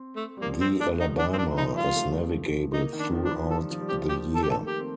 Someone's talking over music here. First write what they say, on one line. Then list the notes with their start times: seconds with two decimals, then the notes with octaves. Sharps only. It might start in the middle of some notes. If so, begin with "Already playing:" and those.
The Alabama is navigable throughout the year.
Already playing: C4
0.16 A3
0.37 G3
0.41 F3 A#3
0.61 C4
0.80 A3 D4
0.99 F3 D#4
1.18 F3 D4
1.33 C4
1.38 D#3 D4
1.57 F3 D#4
1.76 G3 F4
1.96 A3
2.73 A#3 D#4
2.93 D#3
2.99 D4
3.07 D#3
3.12 F3
3.25 D4
3.31 F3
3.50 F3 A4
3.61 G3
3.71 F3
3.80 G3
3.89 F3 G4
4.09 G4
4.28 D#3
4.35 A4
4.42 G4
4.47 A3 A4
4.66 A#3 G4
4.79 C4